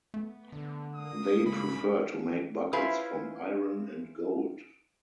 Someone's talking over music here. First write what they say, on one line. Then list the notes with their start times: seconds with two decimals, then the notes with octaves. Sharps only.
They preferred to make buckets from iron and gold.
0.14 A3 B3
0.52 D3
0.95 G2 A#3 D#6
1.46 C#3 G#3 B5
2.73 C#4 E4 F4 G#4 B4 C5